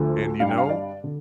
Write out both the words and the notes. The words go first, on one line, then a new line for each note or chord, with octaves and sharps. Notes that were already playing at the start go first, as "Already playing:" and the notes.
and, you know,
Already playing: D2 D3 F3 A3
G2 G3 D4 F5
G5
F5
D5
D3